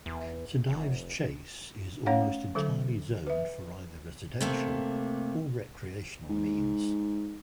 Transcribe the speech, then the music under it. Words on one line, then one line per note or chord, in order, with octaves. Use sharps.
Saint Ives Chase is almost entirely zoned for either residential or recreational means.
E2
F1
A3 C#4 C#5 F5 F#5
D3 F#3 A4
B4 E5
C3 A3 A#3
G#2